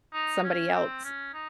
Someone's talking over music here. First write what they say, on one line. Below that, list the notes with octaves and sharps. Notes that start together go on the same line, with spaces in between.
somebody else
D#4
C#4
C4
C#4
D#4